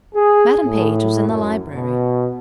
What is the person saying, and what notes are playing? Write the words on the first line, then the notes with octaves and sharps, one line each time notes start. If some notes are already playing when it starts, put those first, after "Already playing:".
Madam Page was in the library.
G#4
A2
F#2
B2